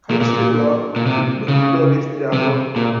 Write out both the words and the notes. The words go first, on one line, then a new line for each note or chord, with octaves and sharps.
Can you see the blur? It looked blurred yesterday, as well.
A#2
A#2
A#2
C3
C#3
C3
A#2